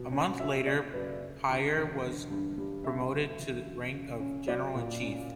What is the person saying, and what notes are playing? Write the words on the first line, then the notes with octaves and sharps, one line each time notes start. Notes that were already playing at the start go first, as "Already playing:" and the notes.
A month later Piar was promoted to the rank of General-in-Chief.
Already playing: B2
C#4
F#3 E5
E5
C#3 D5
F#2 B4
C#3
D2
E1
D3
G2
G3
C#3 E5
D2
E1
F#3
C#3
C#4
F#3 D5
A#2
C#4